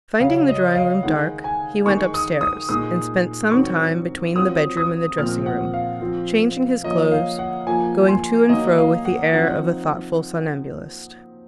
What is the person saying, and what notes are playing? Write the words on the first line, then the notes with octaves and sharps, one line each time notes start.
Finding the drawing-room dark, he went upstairs, and spent some time between the bedroom and the dressing-room, changing his clothes, going to and fro with the air of a thoughtful somnambulist.
C#3 F#3 C#4 F5
D#5
F5
D#3 G#3 D#4 F#5
G#5
D#3 G#3 D#4 C#6
D#6
D#6
A#2 G#3 D#4 D#6
D#3 F#3 C4 D#4 C#6
F#3 C4 F4 D#6
D#6
A#2 F3 C4 F6
F#5
F5
F3 C4 F4
F3 A#3 C#4 F4 D#5
F5
F#5
F3 A#3 F4 G#5
C6
D#3 F#3 A#3 D#5
F5
F#5
F3 C4 D#4 F#5